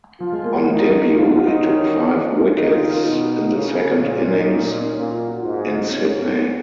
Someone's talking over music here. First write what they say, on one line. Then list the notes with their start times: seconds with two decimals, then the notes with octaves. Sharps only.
On debut, he took five wickets in the second innings in Sydney.
0.20 F3 F4
0.32 G#3
0.44 A#3
0.68 D#4 F4
1.15 F3 F4
1.25 F#4
1.32 F4
1.47 D#4
1.63 D#3 C#4
2.10 F3
2.57 D#3 D#4
2.74 F4
2.90 F4
3.05 B2 D#4
3.53 C#3
4.00 A#2 C#4
4.16 F4
4.32 D#4
4.48 A#2 F4
4.64 D#4
4.79 C#4
4.95 A#2 F4
5.11 F4
5.27 F#4
5.42 G#2 F4
5.74 D#4
5.90 G#2 C#4
6.06 C#4
6.22 C#4
6.32 B3
6.43 C#4